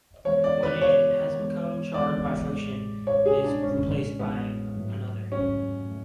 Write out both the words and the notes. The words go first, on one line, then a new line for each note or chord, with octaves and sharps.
When it has become charred by friction, it is replaced by another.
E3 G#3 B3 C#5
D5
B4
E3 G#3 B3 C#5
E3 G#3 B3
E3 G#3 B3 D5
A1 A2 G#3
A1 A2 G#3 C#5
G#4
D4
A1 A2 G#3 C#4
A1 A2 G#3 B3
G#2 F#3 A3
G#2 F#3 A3 C#4
A3